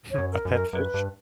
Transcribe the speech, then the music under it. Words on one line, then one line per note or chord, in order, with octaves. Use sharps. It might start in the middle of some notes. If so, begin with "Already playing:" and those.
Hmm, a pet fish?
C#5
F#2
A#4
F#2
A#4
F#2 B4
G2